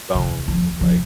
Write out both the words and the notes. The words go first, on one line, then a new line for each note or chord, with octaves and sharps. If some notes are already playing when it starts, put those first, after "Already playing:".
bones of, like,
C#3
F3
F3